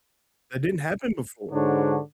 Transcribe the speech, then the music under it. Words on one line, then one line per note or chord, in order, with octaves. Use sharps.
that didn't happen before,
G#2 D3 D4 F#4 C#5